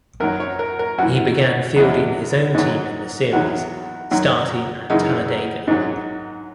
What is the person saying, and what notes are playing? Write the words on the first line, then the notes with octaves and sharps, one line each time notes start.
He began fielding his own team in the series starting at Talladega.
F#2 D#3 F#3 A#4
C#5
A#4
A#4
F#2 E3 F#4
E2 B2 F#3
G#2 D#3 F#3
E2 D#3 F#3 F#4
F#2 D#3 F#3
F#2 C#3 E3 D#4
G#2 D#3 F#3